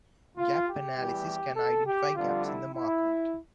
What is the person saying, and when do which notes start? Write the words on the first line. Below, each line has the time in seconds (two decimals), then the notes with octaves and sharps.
Gap analysis can identify gaps in the market.
0.37 F4
0.66 G4
0.96 E2 E3 G3
1.56 A4
1.85 G4
2.15 F2 D3 G3 F4
2.45 E4
2.75 E4